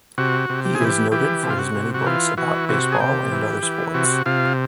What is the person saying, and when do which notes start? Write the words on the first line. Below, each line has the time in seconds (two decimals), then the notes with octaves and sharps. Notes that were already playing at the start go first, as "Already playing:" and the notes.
He is noted for his many books about baseball and other sports.
0.18 C3 F#4
0.49 C3
0.65 G4
0.75 G#4
0.81 E3 G4
1.12 E3 G4
1.43 C3
1.50 F4
1.59 F#4
1.75 C3
1.94 F#4
2.06 E3 F4
2.37 E3 F#4
2.69 C3 F#4
2.92 G#4
3.00 C3 G4
3.31 E3
3.63 E3
3.94 C3 F#4
4.26 C3 F4